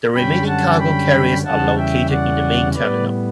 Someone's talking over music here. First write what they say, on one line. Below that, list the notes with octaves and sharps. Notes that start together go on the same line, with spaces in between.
The remaining Cargo Carriers are located in the Main Terminal.
F#2 D3 G3 C#4 G5 B5
F#5 A5
G5 B5
E2 C#3 E3 G3 C#4 F#5 A5
E5 G5
D5 F#5
A2 G3 B3 B4 D5